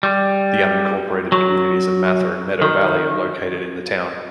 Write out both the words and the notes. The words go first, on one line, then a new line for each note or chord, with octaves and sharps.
The unincorporated communities of Mather and Meadow Valley are located in the town.
G3
F#3
D#3